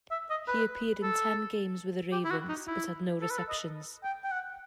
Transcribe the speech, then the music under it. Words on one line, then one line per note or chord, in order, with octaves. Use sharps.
He appeared in ten games with the Ravens, but had no receptions.
E5
D#5
B4
A4
G4
E4
F#4
D#4
E4
A4
B4
A4
D#5
G5
G5
F#5